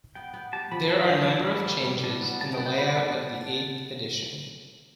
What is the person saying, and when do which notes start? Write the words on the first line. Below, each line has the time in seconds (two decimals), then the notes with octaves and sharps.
There are number of changes in the layout of the eighth edition.
0.15 B3 G5
0.34 B3
0.53 G4 A5
0.71 F3 B5
0.90 C4 A5
1.09 D3 G5
1.28 E4 A5
1.47 A3 B5
1.66 G3
1.85 G3
2.03 A2 A5
2.22 B3
2.41 B3 A5
2.54 G5
2.60 B3
2.66 G5
2.78 G3 B5
2.97 B3 A5